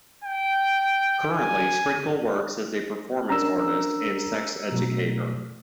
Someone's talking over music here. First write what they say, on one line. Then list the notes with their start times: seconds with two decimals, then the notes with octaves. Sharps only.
Currently, Sprinkle works as a performance artist and sex educator.
0.24 G5
1.32 G#5
3.30 C#4 D4 A#4 A#5 E6
4.72 B2 F#3 A3